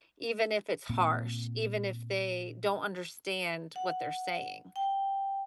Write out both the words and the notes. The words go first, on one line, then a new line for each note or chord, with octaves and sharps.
even if it's harsh, even if they don't understand what they're saying.
A#2 A#3 C4
F#5
G5